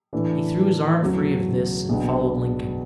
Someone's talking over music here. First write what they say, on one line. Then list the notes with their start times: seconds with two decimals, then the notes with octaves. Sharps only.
He threw his arm free of this and followed Lincoln.
0.13 A2 E3 A3 D4
1.01 E2 C#3 F#3 A3
1.89 B1 B2 G#3 B3 D4